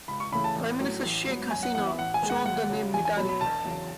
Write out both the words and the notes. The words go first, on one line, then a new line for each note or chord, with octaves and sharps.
Prime Minister Sheikh Hasina chose the name Mitali.
C#2 B5
C#6
C#3 E3 A3 B5
A5
A1
A2 F#3 A3
A1
G#2 F#3 B3
F#2 G#5
F#5
E3 B3 F#5
E5
A1 F#5
G#5
G#2 D#3 G#3
F#5
D#2 F#5
C#3 F#3
E2 G#5
G#5
B2 F#3 B5
B5
E1 A5
E2 C#3 F#3